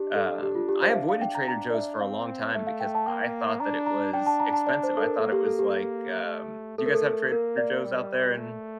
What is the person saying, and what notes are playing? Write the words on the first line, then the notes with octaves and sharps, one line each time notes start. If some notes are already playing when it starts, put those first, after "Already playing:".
um, I avoided Trader Joe's for a long time because I thought that it was expensive. I thought it was like, um do you guys have Trader Joe's out there in
Already playing: D4 G4
A4
G4
F4
G4
C5
F5
E5
F5
G5
A#5
D4 A#5
D5
E5
C4 F5
A3 E5
F5
G5
A5
A#3 G5
D4 A#5
A#5
D4 G5
A5
A#5
A5
D5
C5
A4
A#4
A#3 A4
G4
A4
G4
A3
A3 A4
A#4
A4
A#3 A#4
D5
G3
A3